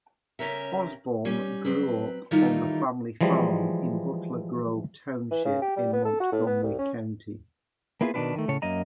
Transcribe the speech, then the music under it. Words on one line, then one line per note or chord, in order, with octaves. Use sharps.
Osborn grew up on the family farm in Butler Grove Township in Montgomery County.
C#3 C#4 G4 A#4 E5
G3 C#4
F#3 C4 B4
D#3 E3 G3 A3 D#4 F4
E3 F3 G3 G#3
E3
C#3
G4
G3
B3
A4
F#4
A2
B3
C2
C#4
A#3 B3 E4 F4 G#4 B4
B2 D#3 C#4 D4 F4 B4
D#3 A3
A2 C#3 A4 C#5
F#2 A#3 D#5 A#5